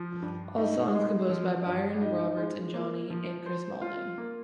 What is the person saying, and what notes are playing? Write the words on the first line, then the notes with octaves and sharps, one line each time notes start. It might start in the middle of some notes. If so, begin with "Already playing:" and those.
All songs composed by Byron Roberts and Jonny and Chris Maudling.
Already playing: F3
G2
D#4
G#3
F3
G2
D#4
G#3
A#3
F3
C5
F4
A#3